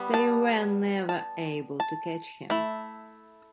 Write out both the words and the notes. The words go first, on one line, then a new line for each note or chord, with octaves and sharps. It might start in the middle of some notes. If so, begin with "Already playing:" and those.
They were never able to catch him.
Already playing: G3 B3
A5
A5
A5
A3 E4